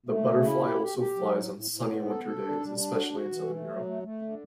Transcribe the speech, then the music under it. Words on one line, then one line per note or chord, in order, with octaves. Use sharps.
The butterfly also flies on sunny winter days, especially in southern Europe.
A3
C#3
E4
G4
G4
G4
F#3
A2
A2
A2
B3
A4
A4
D4
G3
D4
F#4
F#4
E3
A3
F#3
A3
A3
D3